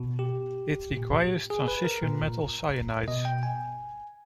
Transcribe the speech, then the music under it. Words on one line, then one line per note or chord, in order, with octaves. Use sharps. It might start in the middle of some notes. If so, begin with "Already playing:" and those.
It requires transition metal cyanides.
Already playing: B2
G4
A#2
G#4
B4
A#4
A#2
B2 D#5
G5
G#5